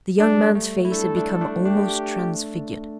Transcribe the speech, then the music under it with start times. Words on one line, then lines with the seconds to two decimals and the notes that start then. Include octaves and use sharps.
The young man's face had become almost transfigured.
0.19 G3 D4
0.27 A3
0.35 G3
0.55 A3
0.85 E4
0.92 A3 D4 A4
1.16 A3 D4
1.41 A3 D4
1.65 A3 D4 G4